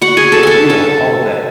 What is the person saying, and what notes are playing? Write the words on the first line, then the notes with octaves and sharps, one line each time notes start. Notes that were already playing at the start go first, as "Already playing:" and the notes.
But, you know, all of that
F#4 F#5
G#4 G#5
A4 A5
A4 G#5 A5
A4 A5